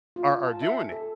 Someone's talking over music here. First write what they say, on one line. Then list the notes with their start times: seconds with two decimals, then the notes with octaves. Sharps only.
are are doing it.
0.16 F4
0.30 F4
0.47 A5
0.62 E5
0.77 G#5
0.92 A4